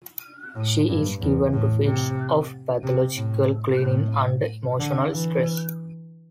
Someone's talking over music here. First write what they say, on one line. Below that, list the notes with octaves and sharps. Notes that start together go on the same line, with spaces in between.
She is given to fits of pathological cleaning under emotional stress.
A2
G2
E2
A2
C3
C3
A2
A2
D3
E3